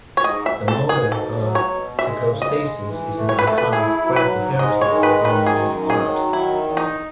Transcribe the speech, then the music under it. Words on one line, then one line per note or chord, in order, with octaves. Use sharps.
This motif of psicostasis is an iconographic heritage of the Romanesque art.
C#5
G#2 D#5
E5
G#2
A4
G#2
G#4
B2 A4
F#3
C#5
B2
G#3 E5
C#3
D#5
G#3
E3
A3
C#5
B4
A3 A4
B4
E4 G#4
F#3
B4
G#2
G#3 D#5
C#5
D#3
B4
D#3
B4
F#2 G#4
D#3
G#4
F#3
D#3 E4
E2
D#4